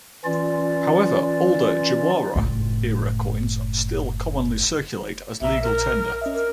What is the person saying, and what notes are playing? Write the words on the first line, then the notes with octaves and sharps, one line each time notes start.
However, older Jawara era coins still commonly circulate as legal tender.
E3 C#4 F4 D5
F#1 A2
A#1 A#2 E5 A#5
A#4
C#4 D#5 E5
A#4